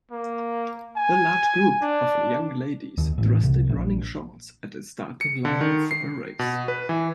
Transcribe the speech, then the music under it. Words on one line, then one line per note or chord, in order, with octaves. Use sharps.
A large group of young ladies dressed in running shorts at a starting line for a race.
A#3
G#5
D4
D#2
A1
C2
A#1
C#7
D3
D#3
C7
B2
B4
E3